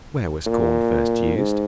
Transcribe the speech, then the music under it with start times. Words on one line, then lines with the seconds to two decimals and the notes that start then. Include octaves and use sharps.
Where was Corn first used?
0.46 A#2
1.36 G#2